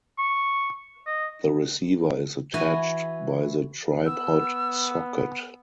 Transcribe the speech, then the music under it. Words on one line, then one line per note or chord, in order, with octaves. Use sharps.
The receiver is attached by the tripod socket.
C#6
D#5
E3 F#4 B4 G#5
B3 E6